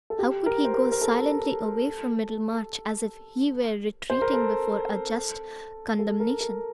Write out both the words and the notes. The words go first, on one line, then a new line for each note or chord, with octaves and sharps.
How could he go silently away from Middlemarch as if he were retreating before a just condemnation?
A4
G4
A#4
C5
A#4
A#4
A4
C5
A#4
A4
A4
A#4
A#4